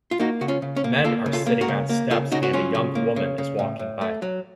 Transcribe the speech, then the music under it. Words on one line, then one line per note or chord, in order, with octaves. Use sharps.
Men are sitting on steps and a young woman is walking by.
F4
A#3 D#4 F#4
C#3 F#4
C#4 F4
C#3
C#4
A#3
A#3 F4 A4
C#3
F4 A4
A#3
F#4 A#4
C#3
A#3
C#3 F4 A4
C#3 D#4 F#4
F#4
F#3 C#4 F4
C#3
A#3
C#3
C#3
A2
A2
A3
F#3